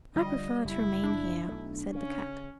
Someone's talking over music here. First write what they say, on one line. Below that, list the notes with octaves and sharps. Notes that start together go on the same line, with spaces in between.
"I prefer to remain here," said the cat.
D3 D#3 F3 G3 D#5
F#1 E4
D4
B1 A3
C#3 C#4